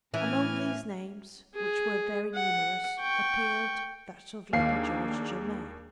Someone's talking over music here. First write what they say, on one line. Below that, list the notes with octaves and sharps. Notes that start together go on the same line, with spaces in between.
Among these names, which were very numerous, appeared that of Lady George Germain.
A2 E3 C#4 G#5 F6
G#4
F#5
G5 C#6
D#2 A#3 D4 G#4 F5 C7